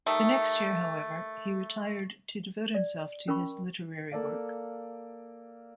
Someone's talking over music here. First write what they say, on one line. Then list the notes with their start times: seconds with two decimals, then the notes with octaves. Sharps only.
The next year, however, he retired to devote himself to his literary work.
0.06 D#3 G3 A3
2.75 D5
3.28 C#4 A#4 G5 B5 C#6
4.12 A#3 A4 D5 F5